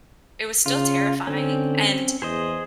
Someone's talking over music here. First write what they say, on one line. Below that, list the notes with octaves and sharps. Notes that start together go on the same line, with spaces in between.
it was still terrifying, and
C#3 F4
D3 C4 C#4
E2 G#4 C5 D#5